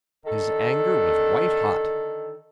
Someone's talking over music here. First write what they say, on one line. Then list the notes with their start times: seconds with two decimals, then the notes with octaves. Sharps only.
His anger was white hot.
0.25 D3 D#3 A4